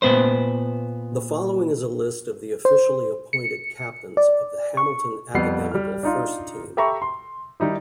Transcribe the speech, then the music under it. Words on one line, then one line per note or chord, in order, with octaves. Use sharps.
The following is a list of the officially-appointed captains of the Hamilton Academical first-team.
A#2 B3 B4 C5
C5
C#7
D5
C#6
F2 G3 B3 F#5 C7
G3 F6
D4 D#4 F4
G4 A4 E5 A#5 B5 C#6
C6
D#3 G3 D#4 E4